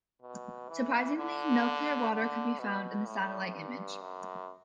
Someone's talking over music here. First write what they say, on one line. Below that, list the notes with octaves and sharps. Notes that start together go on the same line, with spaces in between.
Surprisingly no clear water could be found in the satellite image.
B2
E3
D3
D3
B2
A2
G2
F#2